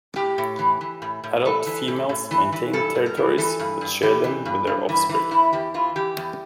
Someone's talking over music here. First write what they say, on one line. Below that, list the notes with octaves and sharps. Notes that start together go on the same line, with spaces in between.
Adult females maintain territories, but share them with their offspring.
A2 G4
A2
E3
E3
A2
A2
E3 A4
E3
A2
A2
E3
E3
G2 A4
G2
A#4
E3
E3 A4
G2
G2
E3 G4
E3
G2
G2
E3
E3
E2 E4
E2 G4
E3 F4
E3 G4
E2